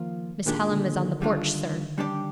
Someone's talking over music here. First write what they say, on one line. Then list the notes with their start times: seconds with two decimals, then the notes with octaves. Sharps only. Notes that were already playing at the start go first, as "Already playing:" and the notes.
'Miss Hallam is on the porch, sir.'
Already playing: D#3 F3 A#3 F4
0.46 A#2 D#3 G#3 D4 G4
0.71 D3
0.96 D#3
1.22 G3 D4 F4
1.98 G3 D4 G4 D5